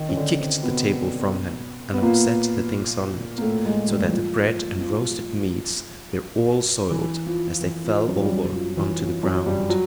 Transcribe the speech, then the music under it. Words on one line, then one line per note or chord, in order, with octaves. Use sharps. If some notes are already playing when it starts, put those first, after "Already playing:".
He kicked the table from him and upset the things on it, so that the bread and roasted meats were all soiled as they fell over on to the ground.
Already playing: D#3 D#4
C#4
D3 D4
C3 C4
B2 B3
B3
A#2 A#3
A#3
A2 A3
G#2 G#3
G2 G3
E3
F3
F3
F3
E3
F3
F3
E3
F3
F#2 F#3
G3
F#2 F#3
F3
F3
E3
F3
F#2 F#3
G2 G3
F#3